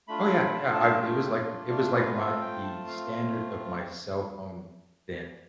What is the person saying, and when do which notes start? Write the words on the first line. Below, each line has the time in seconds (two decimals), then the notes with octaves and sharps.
Oh, yeah, yeah, I it was like it was like my the standard of my cell phone then,
0.08 A3 D4 F4 B5
0.54 A5
0.63 G5
0.72 A5
1.01 G5
1.20 E5
1.24 D5
1.48 D5
1.71 D5
1.93 A3 C4 F4 B4
2.17 A4
2.41 G5
2.64 A5
2.87 F5